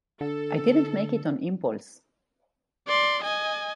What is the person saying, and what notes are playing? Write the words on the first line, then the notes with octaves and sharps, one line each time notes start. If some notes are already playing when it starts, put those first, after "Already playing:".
I didn't make it on impulse.
D3 A4
D5 C6
D#5 G#5